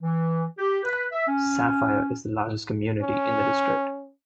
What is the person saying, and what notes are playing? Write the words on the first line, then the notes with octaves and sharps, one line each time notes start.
Sapphire is the largest community in the district.
E3
G4
B4
E5
C#4
C#4